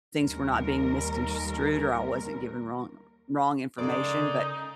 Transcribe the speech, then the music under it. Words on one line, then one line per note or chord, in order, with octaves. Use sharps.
things were not being misconstrued or I wasn't given wrong wrong information, but
D#2 G3 A#4
C#3 G#3 A#3 D#4 A4 D5